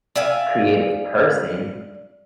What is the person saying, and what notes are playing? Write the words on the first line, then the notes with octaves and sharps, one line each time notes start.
creative person,
D5 E5 F5 G#5